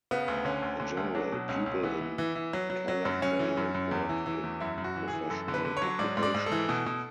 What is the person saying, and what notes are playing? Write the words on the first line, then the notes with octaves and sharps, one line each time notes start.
In general, people in Calamvale work in professional occupations.
C#3 B3
D2
D3 C#4
D2
D3
D2
F#3 D4
B2
C#2 C#4
C#2
E3 B3
E3
E3
E3
F#3
F#3
F#3
F#2
F#2 C#4
E3
F#2
F#2
E2
E3
E3
E2
F#2 E4
F#2
F#4
E3
G#4
E3
F#2 A4
D3
B4
D3
C#5
F#3
G#2 D5
G#2
D5
G#2
A4
E3
B2
B2